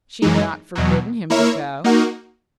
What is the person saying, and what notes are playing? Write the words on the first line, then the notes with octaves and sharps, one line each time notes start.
She had not forbidden him to go.
F#2 E3 G#3 D#4
E2 B2 F#3
A#3 E4 A#4 C#5 E5
A#3 D#4 F#4 A#4